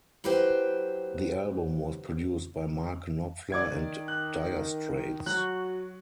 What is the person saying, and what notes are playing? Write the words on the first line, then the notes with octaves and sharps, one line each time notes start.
The album was produced by Mark Knopfler and Dire Straits.
F#3 E4 G4 B4 C5 G5
D#3 D5 D6 G#6
F#6
F#3 F#4 F#6